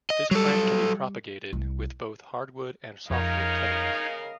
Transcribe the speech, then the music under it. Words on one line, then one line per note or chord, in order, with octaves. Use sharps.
This plant can be propagated with both hardwood and softwood cuttings.
D#5
F#3 G3 A4
C2
F2 C#3 D#4 A#4 C#5 D#5 F5